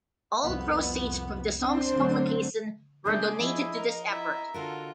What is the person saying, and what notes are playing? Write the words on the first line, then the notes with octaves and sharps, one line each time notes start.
All proceeds from the song's publication were donated to this effort.
C2 F2 B3
C4 D4 C5
D3 F#3 A3
C#3 G#3 A#3 D4 G#4 D5 G6
F3 E4 D#5
A#4
E4 D#5 E5 A#5
D3 F4 F#4 A4 A#4